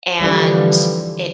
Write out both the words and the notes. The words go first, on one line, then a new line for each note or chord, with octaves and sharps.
and it
D3 E3 F3 G3